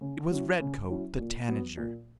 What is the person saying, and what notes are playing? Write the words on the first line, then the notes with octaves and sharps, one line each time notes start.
It was Redcoat the Tanager.
C#3
F#3 C#4 E4
C#3
F#3 C#4 E4
A#2
F#3 B3
A#2